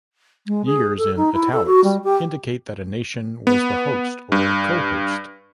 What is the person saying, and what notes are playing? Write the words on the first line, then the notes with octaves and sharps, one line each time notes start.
Years in "italics" indicate that a nation was the host or co-host.
G#3
G#4
A4
D#4
E4
A4
F#4
G3
G4
B3
G2